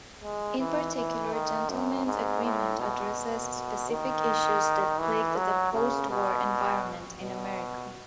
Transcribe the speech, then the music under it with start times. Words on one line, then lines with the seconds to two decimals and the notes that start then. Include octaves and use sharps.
In particular "Gentleman's Agreement" addresses specific issues that plagued the postwar environment in America.
0.23 G#3
0.59 E3
0.96 E3
1.32 D#3
1.70 F#2
2.06 G#2
2.43 A2
2.79 B2
3.90 D#3
5.00 E3
5.37 F#3
5.73 C#3
6.10 B2
7.20 B2